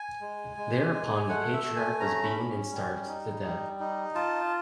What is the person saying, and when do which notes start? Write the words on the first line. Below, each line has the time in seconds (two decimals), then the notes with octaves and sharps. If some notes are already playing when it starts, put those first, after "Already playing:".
Thereupon the patriarch was beaten and starved to death.
Already playing: G#5
0.21 G#3
0.57 G#3
0.93 G#3
1.29 A3 F#5
1.53 E5
1.64 A3
1.76 G#5
2.00 C#4 A#5
2.24 B5
2.36 C#4
2.72 G3
3.08 D#4
3.44 G3
3.79 D#4
4.15 F4 A5